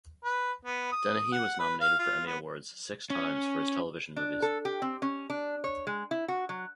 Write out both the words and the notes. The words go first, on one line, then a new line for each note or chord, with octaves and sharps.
Dennehy was nominated for Emmy Awards six times for his television movies.
B4
B3
D#6
F#5
B4
F5
F4
B3
C#4
D4
A4
G4
C4
C#4
D4
C#5
G#3
E4
F#4
F#3